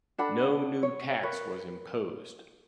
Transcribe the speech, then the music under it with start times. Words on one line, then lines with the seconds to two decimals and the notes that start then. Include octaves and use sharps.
No new tax was imposed.
0.18 D4 A4 F#5 B5
0.83 C#5
1.23 A#4 B4 C#5